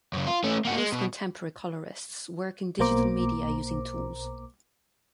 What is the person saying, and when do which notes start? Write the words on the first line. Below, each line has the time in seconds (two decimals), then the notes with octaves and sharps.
Most contemporary colorists work in digital media using tools.
0.13 F#2 C#3
0.27 F4
0.44 A3 C#4
0.65 A#3 F#4
0.77 G#3
0.93 B2
2.79 B1 B2 A#3 C5 A#5 D6